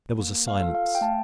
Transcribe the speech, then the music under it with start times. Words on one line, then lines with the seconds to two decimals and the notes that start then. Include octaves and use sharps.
There was a silence.
0.19 A#3
0.48 F5
0.60 F4 A4
0.75 F5
0.95 G5
1.01 A3 A5